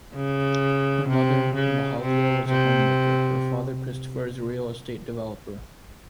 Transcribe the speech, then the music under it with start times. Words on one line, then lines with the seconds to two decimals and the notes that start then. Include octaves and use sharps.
Her mother Mahalia was a homemaker; her father Christopher is a real estate developer.
0.15 C#3
1.08 C3
1.55 C#3
2.00 C3
2.47 C3